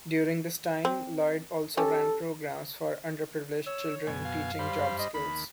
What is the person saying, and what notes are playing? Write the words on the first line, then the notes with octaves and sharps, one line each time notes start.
During this time, Lloyd also ran programs for underprivileged children teaching job skills.
C4
G3 C#4 G4 A4
C#5 E6
F#2 B2 G#5
F5
G2 C5 B5
D#5
D#2 B5